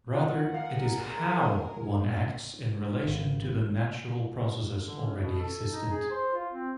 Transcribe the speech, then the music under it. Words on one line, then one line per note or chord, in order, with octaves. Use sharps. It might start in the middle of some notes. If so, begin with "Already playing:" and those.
Rather, it is "how" one acts in relation to the natural processes already existent.
F4 F#5
G#4 A#4 F5
G#1
D3
C#4
B2
A4
D#4
G#4
C5
F4
C4